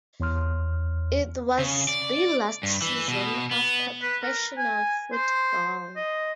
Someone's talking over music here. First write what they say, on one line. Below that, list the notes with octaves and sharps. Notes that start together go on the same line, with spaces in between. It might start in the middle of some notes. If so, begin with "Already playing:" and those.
It was be last season of professional football.
E2 C#5 C6 F6
C#3
D5
G2
E3
B2
B3
B4
A#4
G#5
C5
D#5